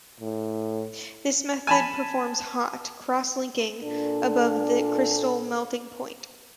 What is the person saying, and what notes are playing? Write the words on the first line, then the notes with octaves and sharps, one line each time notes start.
This method performs "hot" cross-linking, above the crystal melting point.
A2
G#5 A5 B5
A#2 D4 A4